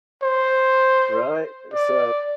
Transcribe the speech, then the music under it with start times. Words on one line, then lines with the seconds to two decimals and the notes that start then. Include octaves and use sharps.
right? So,
0.23 C5
1.73 D5